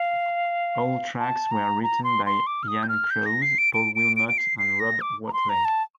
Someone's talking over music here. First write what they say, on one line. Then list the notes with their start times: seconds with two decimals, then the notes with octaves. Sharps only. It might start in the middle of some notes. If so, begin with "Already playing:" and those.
All tracks were written by Ian Crause, Paul Wilmott, and Rob Whatley.
Already playing: F5
1.19 A5
1.51 A#5
1.83 A#5
2.04 C6
2.26 C6
2.47 D6
2.63 F6
2.68 D#6
2.83 G6
2.89 F6
3.10 G6
3.26 A#6
3.42 C7
3.58 D7
3.74 D7
3.95 D7
4.16 D7
4.29 D7
4.38 C7
4.59 C7
4.80 A#6
5.01 D6
5.28 A#5
5.33 C6
5.49 A#5
5.65 A5